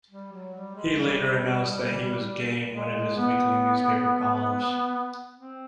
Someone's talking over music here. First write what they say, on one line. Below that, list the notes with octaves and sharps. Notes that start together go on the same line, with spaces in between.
He later announced that he was gay in one of his weekly newspaper columns.
G3
F#3
G3
G#3
G3
G#3
B3
C4